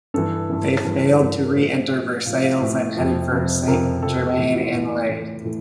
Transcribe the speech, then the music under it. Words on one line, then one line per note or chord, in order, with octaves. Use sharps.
They failed to re-enter Versailles and headed for Saint-Germain-en-Laye.
G2 E3 A4
G2 E3
G2 E3
G2 E3 A#4
A#4
A2 F3 C5
A2 F3
A2 F3 F5
E5
F5
A2 F3
F2 C3 F3
F2 C3 F3
F2 C3 F3 A#4
F2 C3 F3 A4
A2 E3 G4
F4
E4
F4
A2 E3
A2 E3
A2 E3 A4